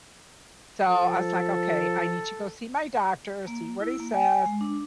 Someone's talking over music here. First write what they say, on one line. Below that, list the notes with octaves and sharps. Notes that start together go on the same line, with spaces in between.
So, I was like, "Okay, I need to go see my doctor, see what he says,"
F3 A4
A#3
E4
A#3
G#5
G#3
D4